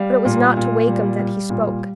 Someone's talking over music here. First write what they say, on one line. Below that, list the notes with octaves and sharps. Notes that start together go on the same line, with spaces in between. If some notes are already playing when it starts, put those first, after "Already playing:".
But it was not to Wakem that he spoke.
Already playing: G3 F5
A#2
A#2
G3
G3
A#2